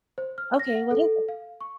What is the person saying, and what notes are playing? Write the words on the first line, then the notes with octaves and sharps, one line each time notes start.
Okay, what is it?
C5
F6
A#6
F#5
A4
F5
C#6